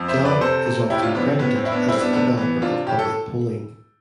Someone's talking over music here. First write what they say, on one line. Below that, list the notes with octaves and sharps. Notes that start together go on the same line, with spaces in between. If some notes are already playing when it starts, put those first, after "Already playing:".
Gallup is often credited as the developer of public polling.
Already playing: F2
C5 E5
C3
B4 D5
C3 A4 C5
C3
A2 E4 G4
D4 F4
F3 B3 D4
C4
A2 B3
C4
A2 E4
B3 D4
G3 C4 E4
B3 D4
C3 B3 D4
E3 B3
C3 D4 F4
A2 G4
A4